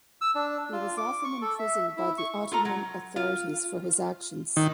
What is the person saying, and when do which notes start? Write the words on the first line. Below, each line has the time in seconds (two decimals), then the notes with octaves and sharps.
He was often imprisoned by the Ottoman authorities for his actions.
0.21 E6
0.35 D4
0.73 F4
0.97 D6
1.24 C#6
1.42 A4
1.59 E5
1.97 E4
2.18 C#6
2.52 F4 A4 A#5
2.65 F#3
3.16 F4
4.57 D#3